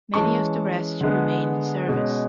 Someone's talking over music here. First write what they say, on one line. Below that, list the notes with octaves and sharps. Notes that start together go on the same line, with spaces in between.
Many of the rest remain in service.
E3 G#3 C#4 A5 C#6
D3 G#3 B3
B2 G#3 C#4